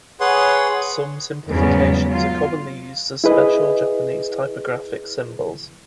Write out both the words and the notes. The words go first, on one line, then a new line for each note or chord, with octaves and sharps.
Some simplifications are commonly used as special Japanese typographic symbols.
G#4 B4 C#5 F#5 C6
E2 G#2 C#3 F#3 G3 B3
F#3 F4
E4 G#4 B4 D#5